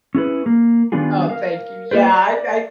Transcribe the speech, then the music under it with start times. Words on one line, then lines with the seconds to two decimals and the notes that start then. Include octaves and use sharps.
Oh, thank you. Yeah. I I
0.15 C#4 E4 G#4 B4
0.46 A#3
0.92 D#3 G3 B3 D4 F4 G#4
1.29 A#4 F5
1.91 A#3 F4 B4 C5
2.12 D5